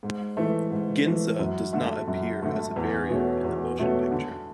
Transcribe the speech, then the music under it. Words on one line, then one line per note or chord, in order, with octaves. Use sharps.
Ginza does not appear as a barrier in the motion picture.
G#2
E3 A3
G#2
E3 A3
F#2
D3 A3
F#2
D3 A3
E2
B2 A3 C#4
E2
B2 A3 C#4
D3